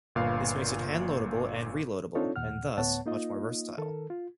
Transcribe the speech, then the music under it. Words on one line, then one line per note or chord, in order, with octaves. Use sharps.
This makes it handloadable and reloadable, and thus much more versatile.
G1 A#2 B4 F5
C4 D4 D#4 F4 A4 C#5
D#2 A#2 F#5 F6
D2 A2 B3 C#5 F#5 A5
A#3 D#4 F4 D#5
D#3 A4 A#4
F4